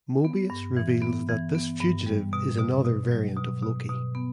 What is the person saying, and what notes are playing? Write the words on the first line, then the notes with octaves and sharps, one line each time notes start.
Mobius reveals that this fugitive is another variant of Loki.
B3
G2
E3
B3
E3
B3
G2
G3
B2
B2
B2
F#3
B2
B2
B2
B3